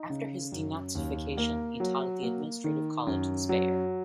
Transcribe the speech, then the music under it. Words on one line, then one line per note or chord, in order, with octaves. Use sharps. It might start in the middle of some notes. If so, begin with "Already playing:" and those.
After his 'denazification' he taught at the administrative college in Speyer.
Already playing: D#4
C#3
F#2
D#2
A#3
F#3
A#3
D#3
F#2
F#3